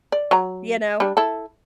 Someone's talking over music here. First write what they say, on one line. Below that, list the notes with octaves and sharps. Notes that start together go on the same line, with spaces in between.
you know?
D5
F#3 A#5
G3 D4
E4 A4